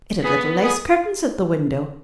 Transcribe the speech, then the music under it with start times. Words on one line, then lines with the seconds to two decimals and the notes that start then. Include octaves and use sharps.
It had little lace curtains at the window.
0.24 B3 G#4
0.62 G#4